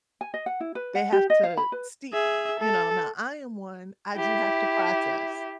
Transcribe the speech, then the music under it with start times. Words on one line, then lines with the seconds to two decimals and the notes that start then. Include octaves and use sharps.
they have to steep, you know, now I am one, I do have to process,
0.21 G#5
0.34 D#5
0.46 F#5
0.60 E4
0.75 B4
0.95 F#5
1.12 G4
1.30 D#5
1.44 F5
1.57 B5
1.72 B4
2.13 G#4 E5
2.59 A4
4.16 E4 G4